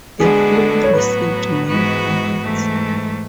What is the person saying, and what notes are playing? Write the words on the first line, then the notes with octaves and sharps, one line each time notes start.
The film received many awards.
D3 G#3 B3 D4 F#4 G#4
A4
C#5
A2 F#3 B3 F#4 B4
G#2 E3 G#3 B3 F#4
G#2 E3 A3